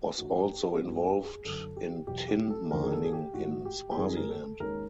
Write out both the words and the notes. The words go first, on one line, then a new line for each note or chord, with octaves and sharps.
Was also involved in tin mining in Swaziland.
A2 E3 A3 D4 F#4
G4
G#4
F#2 D#3 G3 B3 D4 F#4
G4
G#4
F#2 D3 F#3 A4
G4
E2 B2 F#3 G4
G4
A4
D#2 D3 F3 A3 D4 A#4
G#4
A4
G#4
G4
G#2 E3 A3 F#4
G4
G4
F#2 D#3 G3 C4 D#4 G#4
A#4
A4
D#2 D#3 G#3 C#4 A#4